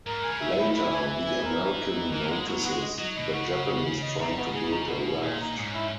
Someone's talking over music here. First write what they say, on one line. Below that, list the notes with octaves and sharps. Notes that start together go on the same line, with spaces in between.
Later, the American notices the Japanese trying to build a raft.
G#2 A#4
G#5
C#3
E5
D#3
E4
E3 E4
G#5
E5
G#5
A#4
D#4
D#4
D#4
E3 A#4
G#3 B3
F#3 B3
G#3 F#4
D#5
F#3 D#5
B2 D#5
C#3 F#4
F#4
F#4
C#4
D#5
C#3 D#4
B3
C#3 G#4
D#4
B2 B3
G#4
A#2 G#4
D#4
G#2 C#4
E4